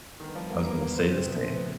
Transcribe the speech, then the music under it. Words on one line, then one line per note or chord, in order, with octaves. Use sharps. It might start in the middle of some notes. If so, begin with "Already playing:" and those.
I was gonna say the same.
D3 D#3 G3 B3
F3
A#3
A#3
A#3
C4
C#3 F3 A3 C4
B3
C4
B3